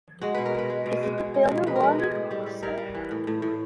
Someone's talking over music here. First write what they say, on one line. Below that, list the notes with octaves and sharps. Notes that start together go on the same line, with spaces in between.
Is it the bill you're wanting, sir?
G#3 F#4
B2 B4
A#4
G#3 B4
G#3
B2
G#3
B2
G#3
B2
B2 B4
A#4
G#3 B4
G#3
A2
G3
G3
G3 A#4
G3
E3
A2
A2
A2